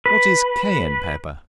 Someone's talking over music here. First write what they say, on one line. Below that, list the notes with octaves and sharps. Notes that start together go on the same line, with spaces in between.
What is Cayenne Pepper?
B4